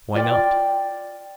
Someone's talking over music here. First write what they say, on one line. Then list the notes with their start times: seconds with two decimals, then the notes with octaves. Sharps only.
Why not?
0.15 F4 D5 G5